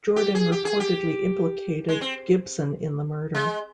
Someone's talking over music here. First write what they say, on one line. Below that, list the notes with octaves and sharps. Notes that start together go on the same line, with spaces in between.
Jordan reportedly implicated Gibson in the murder.
G4
G#4
G4
G#4
G4
G#3
C4
G#3